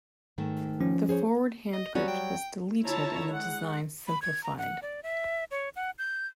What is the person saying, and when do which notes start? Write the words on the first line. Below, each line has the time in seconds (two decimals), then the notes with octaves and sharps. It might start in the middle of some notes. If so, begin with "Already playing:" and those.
The forward hand grip was deleted, and the design simplified.
0.38 G#2 D#3 A3
0.81 F3 C#4
1.09 G#4 C5 C#5
1.73 D#5
1.95 F#3 G3 C#4 F#4
2.08 G5
2.85 D3 E4 F4 C#5 A5 A#5
3.31 G#3 F#5
4.08 B5
4.22 G#6
4.44 A#5
4.58 F#5
4.82 D5
5.03 E5
5.51 C#5
5.76 F#5
5.98 G6